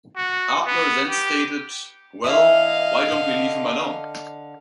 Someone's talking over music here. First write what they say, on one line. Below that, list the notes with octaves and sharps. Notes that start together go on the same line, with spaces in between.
Adler then stated, Well, why don't we leave him alone.
F#4
B3
G4
E3 D4 E4 D#5 F5
D3